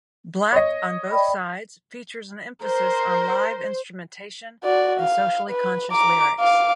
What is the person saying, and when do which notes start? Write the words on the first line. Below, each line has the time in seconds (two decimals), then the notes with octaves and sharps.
"Black on Both Sides" features an emphasis on live instrumentation and socially conscious lyrics.
0.52 C#5 D#5
1.11 D5 G5 B5
2.64 A#4 C5
4.64 F#4 D5
5.00 F5
5.50 B4
5.92 A#5 D6
6.40 F5 D6